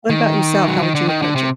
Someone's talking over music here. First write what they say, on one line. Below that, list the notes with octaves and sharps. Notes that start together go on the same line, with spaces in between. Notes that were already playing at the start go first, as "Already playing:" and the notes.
What about yourself? How would you approach it?
D#3
F#3
D#3
D3
D#3
D3
C3